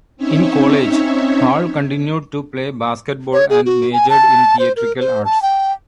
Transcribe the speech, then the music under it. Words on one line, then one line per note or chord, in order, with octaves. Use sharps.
In college, Hall continued to play basketball and majored in Theatrical Arts.
C4 C#4 D#4 C#5 E5
C#5
G#4
F#4
G#5
A5
C5
A#4
C5
A5
G5